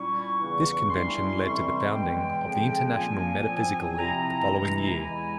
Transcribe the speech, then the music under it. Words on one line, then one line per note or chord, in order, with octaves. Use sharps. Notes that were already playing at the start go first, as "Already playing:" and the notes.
This convention led to the founding of the International Metaphysical League the following year.
Already playing: A#2 G3 C#4 E4 C#6
E2 C#3 E3
G2 G3 C#4 E4 C6
F2 C3 E3 G3 C#6
C6
E2 E3 G#3 G5
F2 C#3 F3 G#3
A#2 F3 A#3 C#4 G#5
A#2 F3 C4
C3 F3 C4 E4 A#5
C3 E3 G#3 E4
E2 E3 G#3 E4 G#5